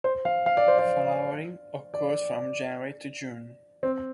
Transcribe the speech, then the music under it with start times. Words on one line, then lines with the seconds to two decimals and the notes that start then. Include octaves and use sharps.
Flowering occurs from January to June.
0.04 C5
0.25 F5
0.46 F5
0.57 D5
0.68 C5
0.78 D5
1.94 D5
3.83 C4